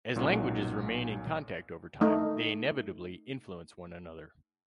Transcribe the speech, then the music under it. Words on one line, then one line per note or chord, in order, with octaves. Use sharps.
As languages remain in contact over time, they inevitably influence one another.
B1 A#2 C#4 D#4 F#4
A3 D#4